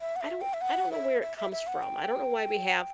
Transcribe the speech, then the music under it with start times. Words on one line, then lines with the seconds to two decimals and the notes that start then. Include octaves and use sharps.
I don't I don't know where it comes from. I don't know why we have
0.01 E5
0.16 F#5
0.21 E5
0.41 G5
0.54 E5
0.61 F#5
0.92 E5
1.22 E5
1.37 E5
1.52 E5
1.67 F#5
1.83 G5